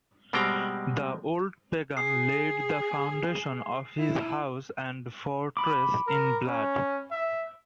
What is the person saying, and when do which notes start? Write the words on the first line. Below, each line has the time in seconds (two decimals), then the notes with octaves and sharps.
The old pagan laid the foundation of his house and fortress in blood.
0.33 B2 G3 G#3 C4 G5 A#5
1.97 G#4 D#6 C7
3.98 E4
5.57 B5 D6
6.07 A#4
6.47 C#4
7.11 E5